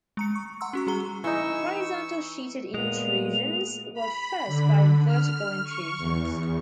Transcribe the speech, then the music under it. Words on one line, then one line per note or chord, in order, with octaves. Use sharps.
Horizontal sheeted intrusions were fed by vertical intrusions.
G#3 A#5 C#7
C#6
F#5 A#5 C6 E6
C#4 F#4 C#6
G3 G#4 A#5 G7
E3 D#4 C#6 E6
A#2 G#3 B3 F7
B5
D3
F6
C#6
E2